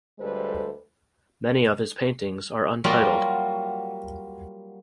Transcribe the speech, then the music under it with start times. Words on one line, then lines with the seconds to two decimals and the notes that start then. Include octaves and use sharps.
Many of his paintings are untitled.
0.20 D2 G3 G#3 A4 B4 C5
2.84 F#3 G3 A#3 F4 F#4